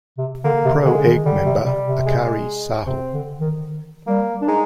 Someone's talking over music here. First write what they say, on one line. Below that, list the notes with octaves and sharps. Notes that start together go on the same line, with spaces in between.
Pro Egg member Akari Saho.
C3
D3 A#3
C3
D3 G#3
D#3
D3 G3
C3
C3 G3
C3
G#3
C3 C4
D3
D#3
G3 A#3
D4
G#3 D#4